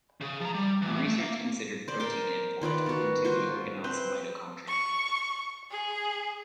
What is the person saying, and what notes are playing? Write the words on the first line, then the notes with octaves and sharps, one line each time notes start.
Her research considered protein import into the organelles of mitochondria.
C#3 G#4
F3 A#5
G3
A2 E3
A3
A#3
C5 D5
A#4 C5 G5 D6
D#3 F4 B4 D5
B3 F#4
F4 F#4 C5
C4 B4 C5
C#6
G#4